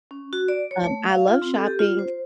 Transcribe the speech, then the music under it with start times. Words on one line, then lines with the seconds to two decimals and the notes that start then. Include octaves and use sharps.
Um, I love shopping
0.11 C#4
0.33 F#4
0.48 D5
0.71 C#5
0.84 A3
1.09 F5
1.28 F4
1.42 C4
1.54 A4
1.67 G4
1.79 F4
1.99 C5